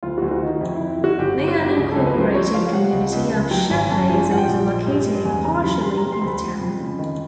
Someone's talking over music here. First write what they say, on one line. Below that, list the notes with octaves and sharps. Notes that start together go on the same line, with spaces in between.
The unincorporated community of Shepley is also located partially in the town.
D2 F4
D2 F#4
F#4
D#3 D#4
F2 E4
F2 E4
E4
D3 F#4
G1 G4
G4
G1
F#4
G1 G4
C#2 G#4
C#2 A4
B4
F#3 C5
F3 C#5
F3 F5
F5
C3 F#5
C#2
C#2
C#2
F#3 G5
G#1 G#5
F#2 A5
F3 G#5
F3 F#5
G5
A#1
G#3
G2
G#3
E2 G#5
C#3 A#5
F#3 B5
C3 C6
C3 A#5
C6
D2
B5
F2
F2
C#3
D#3